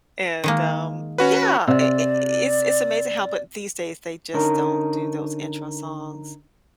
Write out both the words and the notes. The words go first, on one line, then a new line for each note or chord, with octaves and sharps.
and, um, yeah, i i it's it's amazing how but these days, they just don't do those intro songs
D#3 G#3 A#3
C#4 F#4 B4
C3 D5
D3 C#4 D#4 A#4